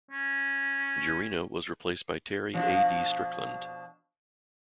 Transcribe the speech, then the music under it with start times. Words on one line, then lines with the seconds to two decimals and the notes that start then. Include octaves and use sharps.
Gerena was replaced by Terry A. D. Strickland.
0.11 C#4
2.54 B2 F3 D4